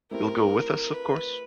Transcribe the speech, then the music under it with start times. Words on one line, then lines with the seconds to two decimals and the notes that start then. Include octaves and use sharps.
You'll go with us, of course?
0.11 A3 C4 E4 G4 A#4
0.94 B4